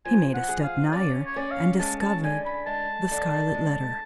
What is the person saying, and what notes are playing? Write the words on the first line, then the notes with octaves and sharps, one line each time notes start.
He made a step nigher, and discovered the scarlet letter.
F3 G#5
F#5
G#4
F5
C#4 D5
C#5
C#4 D5
F5
G#3 A5
A5
D3 G#5
B5
G#3 A5
D3
G#3